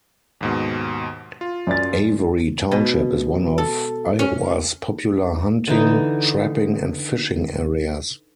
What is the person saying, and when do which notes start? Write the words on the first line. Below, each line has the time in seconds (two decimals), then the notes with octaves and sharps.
Avery Township is one of Iowa's popular hunting, trapping, and fishing areas.
0.41 D#2 G#2 B2
1.41 F4
1.67 F#2 D5 A6
2.71 B2
3.58 A4
4.19 C#4
5.68 D3 E3 D#4